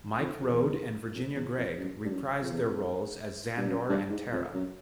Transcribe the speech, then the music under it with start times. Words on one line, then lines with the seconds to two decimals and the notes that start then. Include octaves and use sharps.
Mike Road and Virginia Gregg reprised their roles as Zandor and Tara.
0.20 F2
0.40 F2
0.51 E2
1.15 F2
1.36 E2
1.58 F2
1.78 F#2
2.04 G2
2.11 F#2
2.42 F2
2.51 E2
2.62 F2
3.57 G2
3.68 F#2
3.89 G2
4.10 G#2
4.32 F2
4.54 F#2